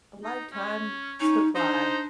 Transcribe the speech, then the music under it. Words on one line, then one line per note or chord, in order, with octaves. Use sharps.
A lifetime supply.
D#4
C#4
C#4 D#4
D4 D#4 C5